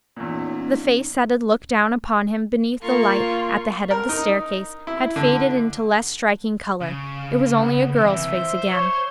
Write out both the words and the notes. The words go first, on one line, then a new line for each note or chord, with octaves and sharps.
The face that had looked down upon him beneath the light at the head of the stair-case, had faded into less striking color--it was only a girl's face again.
E2 A#2 C#4 D#4
A#3 F4 C#6
A#4
D#4
E4
D3
C#3
F5
B3
C3 E3 E5
C5
C#5